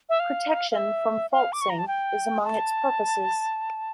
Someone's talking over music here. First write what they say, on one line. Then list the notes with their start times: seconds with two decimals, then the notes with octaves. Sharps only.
Protection from falsing is among its purposes.
0.09 E5
0.20 F5
0.71 F5
0.76 E5
1.32 F5
1.52 D6
1.61 C#6
1.70 A#5
1.79 A5
1.87 G5
2.44 A5